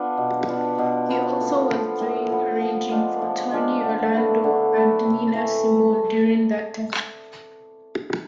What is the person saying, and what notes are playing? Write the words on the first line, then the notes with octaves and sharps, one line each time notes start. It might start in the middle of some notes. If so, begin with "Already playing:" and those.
He also was doing arranging for Tony Orlando and Nina Simone during that time.
Already playing: B3 D4 F4
B2
B3 D4 F4
B2
B3 D4 F4
A2
F3 B3
A2
F3 B3
F3
G#3 D4 F4
F3
G#3 D4 F4
D3
A3 E4 B4
D3
A3 E4 B4
C3
E3 A3